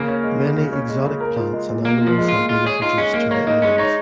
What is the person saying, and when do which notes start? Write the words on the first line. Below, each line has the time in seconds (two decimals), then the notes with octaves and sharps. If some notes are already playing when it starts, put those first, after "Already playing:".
Many exotic plants and animals have been introduced to the islands.
Already playing: C#3 A#3
0.08 C#4
0.23 G#3
0.40 C#3
0.56 C#3
0.73 C#4
0.89 G#3
1.05 C#3
1.20 A#4
1.37 F4
1.53 G#3
1.69 A#2
1.85 A#3 A#4
2.01 F4
2.07 F3
2.18 G#3
2.29 F4
2.34 A#2
2.49 G#3 F4
2.65 G#4 C#5
2.82 D#4 F4
2.98 G#3 C#4
3.14 G#3 A#3
3.31 A#3 C#5
3.47 A#3 D#4
3.62 G#3 C#4
3.78 D#4 C#5